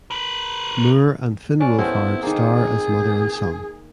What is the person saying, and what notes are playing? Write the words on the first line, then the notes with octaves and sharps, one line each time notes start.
Moore and Finn Wolfhard star as mother and son.
A#4 B4
C#4 D4
A3 B3 C4 E4
D#3 A#3 G#4